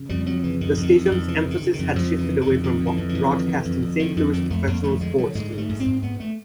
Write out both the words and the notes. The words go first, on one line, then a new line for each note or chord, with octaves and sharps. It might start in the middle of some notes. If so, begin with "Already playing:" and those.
The station's emphasis had shifted away from broadcasting Saint Louis professional sports teams.
Already playing: C#3
F2 G3
F2 F#3
C#3 E3
F2 D#3
F2
D#3
F2
D#3
F2
C#3 E3
C#3
D#3
C#3
D#3
F2
F2 F3
C#3
E3
C#3
D#3
F2
F2 D#3
D3
E3
F2
E3
F2
D3
D3
F2
F2
D3 D#3
F2 D#3
F2 D#3
F2 A3
F2 A#3
D3 A3
D3 G#3
D3 F#3
G#2 G#3
G#2
A3
G#2
C4
G#2
G#2 B3
A3